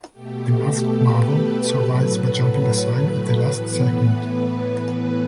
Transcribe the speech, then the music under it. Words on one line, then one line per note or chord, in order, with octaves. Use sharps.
The Masked Marvel survives by jumping aside at the last second.
B2 A3 G4
A4
B4
A2 F#3 A3
A2 E3 B3 B4